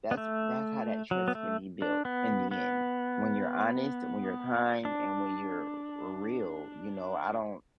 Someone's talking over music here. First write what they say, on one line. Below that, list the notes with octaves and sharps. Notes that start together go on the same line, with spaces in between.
that's that's how that trust can be built in the end. When you're honest, when you're kind, and when you're r real, you know, I don't
B3
A3
F#3
B3
A3
D4
B3
B3
D4